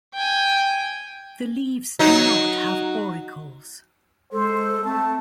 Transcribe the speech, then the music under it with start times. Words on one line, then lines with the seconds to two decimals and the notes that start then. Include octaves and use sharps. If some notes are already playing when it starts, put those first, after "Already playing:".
The leaves do not have auricles.
0.14 G5 G#5
1.99 F#3 D#4
4.33 G#3 A4 C5
4.84 A3 C4 A5